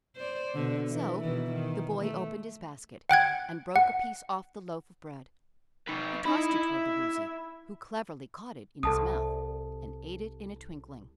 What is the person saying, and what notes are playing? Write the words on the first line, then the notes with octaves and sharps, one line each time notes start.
So the boy opened his basket and broke a piece off the loaf of bread. He tossed it toward the Woozy, who cleverly caught it in his mouth and ate it in a twinkling.
C5 D5
B2 D3
E3
B2 D#3 E3
D#3
A3
F#5 G5 F#6 G#6
F#5
D#4 B4
D#4 E4 B5
E5
C2 A4 A5 D#6